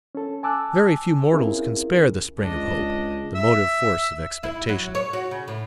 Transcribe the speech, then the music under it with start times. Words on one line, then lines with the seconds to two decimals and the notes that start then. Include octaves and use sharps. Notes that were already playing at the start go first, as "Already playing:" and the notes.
Very few mortals can spare the spring of hope, the motive force of expectation.
0.15 C#4 A4
0.43 G#5 A5 D6 E6 F#6
1.32 C4 C#4 E4 F4 G#4 A#4
2.39 C#2 D4 D#5
3.35 E5
4.43 E4
4.69 F#3
4.95 C#5
5.13 F#4
5.31 C#3
5.48 A2